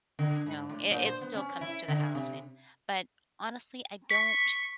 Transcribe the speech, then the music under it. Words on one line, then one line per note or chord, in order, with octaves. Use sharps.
you know, it it still comes to the house, and but, honestly, I don't
D3
G#2
A2
A#2
C5
B3
C#4
E4
D3
C3
C#6 B6